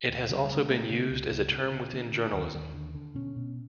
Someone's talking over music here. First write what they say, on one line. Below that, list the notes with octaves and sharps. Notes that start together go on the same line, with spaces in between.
It has also been used as a term within journalism.
D2
C#3 F#3
G3
C#3
G#3
C#3 A3
C#3
C#2
C#2
C#3
C#3
D3 A#3
D3
D#2
D#2
D3
D3
B2 C#4
B2